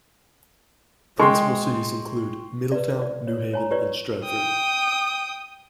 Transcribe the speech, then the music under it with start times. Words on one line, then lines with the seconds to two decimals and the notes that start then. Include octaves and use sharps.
Principal cities include: Middletown, New Haven, and Stratford.
1.20 G#3 G5 C6 C#6
2.72 B4 D5
3.01 D5
3.27 C#5
3.53 C#5 G#5 A#5
3.71 G4 B4 C#5 D5
4.24 G5 D#6